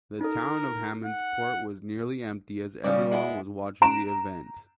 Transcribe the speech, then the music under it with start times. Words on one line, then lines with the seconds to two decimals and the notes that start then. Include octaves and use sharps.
The town of Hammondsport was nearly empty as everyone was watching the event.
0.21 D#4 A4 A#4
1.05 F#5
2.84 C#3 F3 G3 C#4 D5
3.11 G#3 B3 E4
3.82 A#5 D7 E7